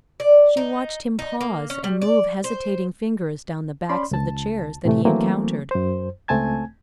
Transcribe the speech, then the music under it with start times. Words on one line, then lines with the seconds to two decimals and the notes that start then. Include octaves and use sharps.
She watched him pause and move hesitating fingers down the backs of the chairs that he encountered.
0.20 D5
0.57 D#4
1.19 D#4
1.41 A#3
1.70 C#4
1.84 G3
2.02 D5
2.44 C5
3.89 C#4 D5 B5 C6
4.11 C#2 A5
4.85 A2 C3 E3 A3
5.05 E3 F#3 A3 A#3 C4
5.71 F#2 C5
6.28 C#2 A3 C4 G#5 A5 G#6